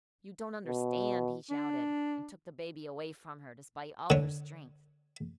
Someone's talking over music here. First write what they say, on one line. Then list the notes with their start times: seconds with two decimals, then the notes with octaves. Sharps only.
"You don't understand!" he shouted, and took the baby away from her, despite all her strength.
0.67 B2
1.50 D4
4.10 D3 C#5